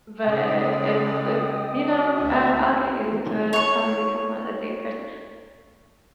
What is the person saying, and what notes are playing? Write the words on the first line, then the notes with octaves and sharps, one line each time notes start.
but it's it, you know I I'll get used to it, I'll probably become a a day-person.
C#3 G#3 A4 D5 D#5 G5 D#6
C#4 F#4
D2 A#3 E5
C#5 C#6